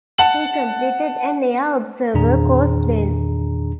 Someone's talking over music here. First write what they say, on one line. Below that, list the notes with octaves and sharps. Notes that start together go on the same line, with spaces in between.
He completed an air observer course then.
F#5 A5 F#7
E2 A#2 D#3 D4 G#4 A#5